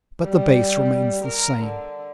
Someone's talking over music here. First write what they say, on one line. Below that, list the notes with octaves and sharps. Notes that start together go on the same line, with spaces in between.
But the base remains the same.
G3
A#4
D3